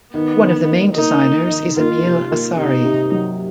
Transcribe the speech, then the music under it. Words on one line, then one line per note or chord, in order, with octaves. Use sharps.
One of the main designers is Emile Asari.
D#3 B3
D#3
A#3
A#3 D#4
A#3
D#3
A#3 F4
C3
A#3
C3 D#4
C3
F#3